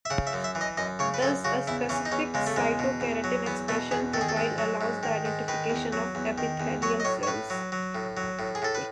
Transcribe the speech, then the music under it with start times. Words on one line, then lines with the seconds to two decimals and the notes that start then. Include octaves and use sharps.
Thus a specific cytokeratin expression profile allows the identification of epithelial cells.
0.05 E5
0.10 C#3 F#5
0.27 E5
0.33 F#2
0.44 E5
0.55 E3
0.61 D#5
0.77 F#2 D#5
0.99 C#3 C#5
1.14 B4
1.22 F#2 A4
1.44 C#3 F#4
1.67 E2 E4
1.89 E3 C#4
2.05 D#4
2.12 E2 C#4
2.34 C#3 G#3
2.47 A3
2.56 E2 G#3
2.79 B2
3.01 E2
3.24 F#3
3.46 E2 B3
3.68 B2 A3
3.91 E2 G#4
4.14 D#3 A4
4.21 G#4
4.29 A4
4.36 G#2
4.58 F#3
4.81 G#2
5.03 D#3
5.25 G#2
5.48 D#3 B4
5.70 E2
5.93 F#3
6.15 E2
6.38 D#3
6.60 E2
6.82 F#3 C#5
7.00 D#5
7.05 A2 C#5
7.23 C#5
7.27 A2 B4
7.50 F#3
7.72 F#3
7.95 A2
8.17 F#3
8.39 A2
8.55 G#4
8.62 A2 A4
8.75 B4